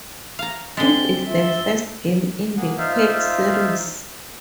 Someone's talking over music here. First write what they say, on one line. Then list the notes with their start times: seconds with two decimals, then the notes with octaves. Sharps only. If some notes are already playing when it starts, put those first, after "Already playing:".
It is the first game in the "Quake" series.
0.39 F5 A#5
0.77 D3 G#3 C4 A6 B6 G7
1.28 F4 E5
2.57 A#3 G#4 F#5
2.78 D#4 F4 C5 E5 F5